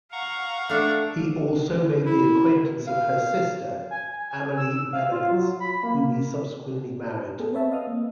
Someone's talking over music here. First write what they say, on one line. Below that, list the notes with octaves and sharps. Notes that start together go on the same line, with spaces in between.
He also made the acquaintance of her sister, Amelie Behrens, whom he subsequently married.
F5 F#5 A#5 C#6
A3 D4
E4
F5
G#5
G#5
E6
F5
F4
F#3
B5
A#3
B3 G#4 A4
C4 B4 C#5 E5 A5
D#5 F5 D#6 F6
A#3